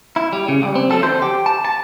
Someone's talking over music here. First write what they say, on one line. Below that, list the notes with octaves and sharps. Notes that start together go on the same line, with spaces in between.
Oh, yeah,
E4
G3
C#3
C#2
C4
A4
C5
G4
A5
A5